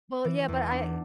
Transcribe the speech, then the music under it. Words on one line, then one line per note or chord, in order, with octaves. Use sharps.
Well, yeah, but I
E3
E2
D4